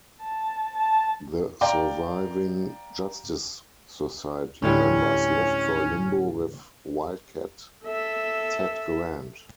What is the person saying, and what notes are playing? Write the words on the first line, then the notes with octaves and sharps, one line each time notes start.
The surviving Justice Society members left for Limbo with Wildcat Ted Grant.
A5
A5
D5 F5 G5 A#5 D6
D2 A2 G3 C#4
A4 E5